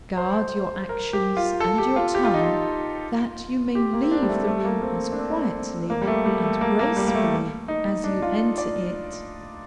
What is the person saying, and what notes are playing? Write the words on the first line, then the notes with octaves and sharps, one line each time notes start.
Guard your actions and your tongue, that you may leave the room as quietly and gracefully as you enter it.
C5
A#4
G4
F4
A4
G4
F4
G4
F4
D#4
F4
G4
A#3
C4
D4
G3
A3
A3
A#3
C4
D4
C4
A#3
G3
A3
G3
A3
A#3
A#3
G3
A#3
A3
D#4
D4
F4
D5